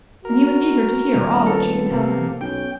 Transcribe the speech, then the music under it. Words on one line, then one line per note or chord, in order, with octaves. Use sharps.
And he was eager to hear all that she could tell him.
F#4 A#4
D#1
B3 A4
C3 A#3
B1 C#4 G5